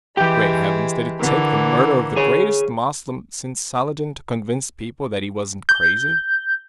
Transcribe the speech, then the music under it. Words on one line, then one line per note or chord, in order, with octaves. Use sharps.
Great heavens, did it take the murder of the greatest Moslem since Saladin to convince people that he wasn't crazy?
E3 G#3 G4 G5
D3 E3 A#3
G#4 C#5
G6